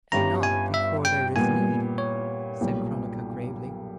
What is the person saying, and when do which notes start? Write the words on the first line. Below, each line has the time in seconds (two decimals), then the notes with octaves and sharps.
"And not before there is need," said Cronaca, gravely.
0.12 G1 G2 G3 C#4 G4 A#5
0.43 G#5
0.74 E5
1.05 G5
1.36 A#2 G3 B3 G#5
1.98 C#5
2.61 B1 A#2 G3